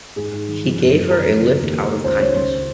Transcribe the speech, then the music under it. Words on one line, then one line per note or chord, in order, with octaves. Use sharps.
He gave her a lift out of kindness.
G#2 G#4
G#2
D#3
F3
F#2
F3
F#2 A#4
F#2
C#3
D#2
D#2
D#3
C#2 C5
C#2 C#5
C#3 C5